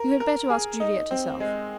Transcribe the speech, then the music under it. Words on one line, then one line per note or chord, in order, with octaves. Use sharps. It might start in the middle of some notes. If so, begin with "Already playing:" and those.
You had better ask Juliet herself.
Already playing: A#4
A#4
G#4
D#4
C4
G#3